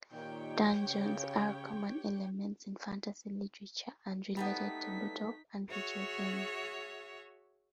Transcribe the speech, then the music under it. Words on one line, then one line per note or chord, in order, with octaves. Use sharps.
Dungeons are common elements in fantasy literature, and related tabletop and video games.
A#2 D#3 G4 C#5 G5
C#3
G3 A3 B3 D#4 B6
F#4 G#4 C#5 E5